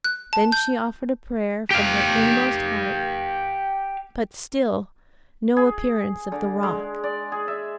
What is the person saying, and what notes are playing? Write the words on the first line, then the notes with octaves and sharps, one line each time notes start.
Then she offered a prayer from her inmost heart, but still no appearance of the rock.
F#6
A5
G6
G4 F5
G#4
D3
G#3
D5
G#4
E5